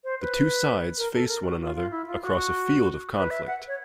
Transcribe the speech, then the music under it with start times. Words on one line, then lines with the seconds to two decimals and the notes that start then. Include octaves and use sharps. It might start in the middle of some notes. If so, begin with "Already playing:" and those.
The two sides face one another across a field of conflict.
0.04 C5
0.21 B4
0.98 A#4
1.14 A4
1.28 A#4
1.44 F#4
1.61 F4
1.76 F4
1.91 E4
2.07 F4
2.22 F#4
3.16 B4
3.31 E5
3.47 F#5
3.68 C#5